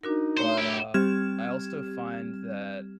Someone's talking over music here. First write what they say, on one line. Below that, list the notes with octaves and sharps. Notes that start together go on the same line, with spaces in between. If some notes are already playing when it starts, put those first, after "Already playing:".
But, uh, I also find that
D4 D#4 F#4 A#4
A3 C5 C#5 A#5
E4 G4
G3 C4 G4 F6 G#6 E7